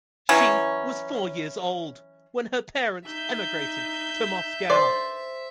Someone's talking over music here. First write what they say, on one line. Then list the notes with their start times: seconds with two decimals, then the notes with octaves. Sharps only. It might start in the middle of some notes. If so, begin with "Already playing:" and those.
She was four years old when her parents emigrated to Moscow.
0.29 E3 F#3 C#4
3.05 D#4 E5 G6
4.70 C5 D5